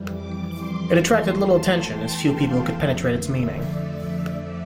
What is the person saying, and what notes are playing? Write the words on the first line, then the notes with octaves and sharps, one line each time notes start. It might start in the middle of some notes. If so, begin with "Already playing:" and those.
It attracted little attention, as few people could penetrate its meaning.
Already playing: F2 E3 G3
D6
C6
E2 E3 A3 C6
A5
G5
F5
F2 D3 F3 A3 E5
E5
D5